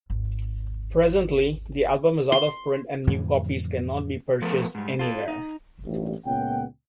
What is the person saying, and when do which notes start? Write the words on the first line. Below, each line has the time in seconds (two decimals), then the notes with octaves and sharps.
Presently, the album is out of print and new copies cannot be purchased anywhere.
0.10 G#1 D#2
2.32 C6
3.07 F2 A2 D3 E3
4.42 F3 A3 B3 A4 A#4
4.75 G#2 G3
4.99 F4 A4
5.28 D#4
5.85 A1 G2 A#2
6.25 C#2 A#2 B3 C#4 F#5 G5